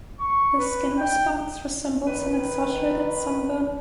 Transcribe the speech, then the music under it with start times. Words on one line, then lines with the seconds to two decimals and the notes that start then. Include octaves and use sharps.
The skin response resembles an exaggerated sunburn.
0.20 C#6
0.58 B4
0.98 G5
2.07 D#3 B4